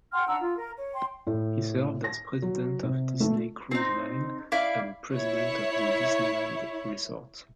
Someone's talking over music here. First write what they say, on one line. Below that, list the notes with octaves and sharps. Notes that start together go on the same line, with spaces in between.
He served as president of Disney Cruise Line and president of the Disneyland Resort.
F#5 G5 C6 F6
D4 F#5 A#5 E6
F4
A#4
C#5
G5 C6
A2
A#6
F#3
C3
A3
C4 D#4
E4 D5 F5
E4 C#5